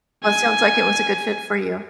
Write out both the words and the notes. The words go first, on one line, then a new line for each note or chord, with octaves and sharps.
Well, it sounds like it was a good fit for you.
G#5